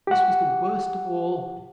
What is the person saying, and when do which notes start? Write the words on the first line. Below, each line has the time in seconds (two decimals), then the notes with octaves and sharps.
This was the worst of all!
0.07 G4 F#5